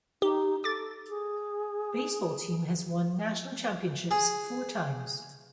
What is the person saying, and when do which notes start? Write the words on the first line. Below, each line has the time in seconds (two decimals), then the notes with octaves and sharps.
Baseball team has won national championships four times.
0.22 D#4 G4
0.64 A4 D6 A6
1.09 G#4
4.11 G#4